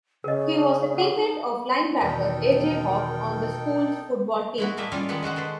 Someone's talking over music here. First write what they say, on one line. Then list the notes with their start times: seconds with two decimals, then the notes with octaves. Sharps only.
He was a teammate of linebacker A. J. Hawk on the school's football team.
0.24 C#3 A#4 D#5
0.98 F#5 C#6
1.13 D#4
2.01 E2 B2 D#3 D#4 A4 A#4 G5
4.58 G#3 E4 F#4
4.77 A2 G3 A3 A#3 D#5 E5
4.91 G3 C#4 F4 A4 C#5 D#5
5.09 D#3 G#3 D#4 G4 B4 F#5
5.23 G#3 F#4 C5 F#5
5.36 G#3 A4 B4 C5